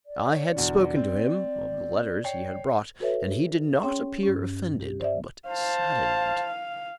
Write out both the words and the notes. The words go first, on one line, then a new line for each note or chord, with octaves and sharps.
I had spoken to him of the letters he had brought, and he did not appear offended, but saddened.
D5
C#5
E2 B2 D3
C4
C#5 G5 C7
F#4 A4 B4 C#5 E5
C#4 G#4 C#5 G5 C6
G2 C#4
G4
C5 D5 E5
C5 F5 A5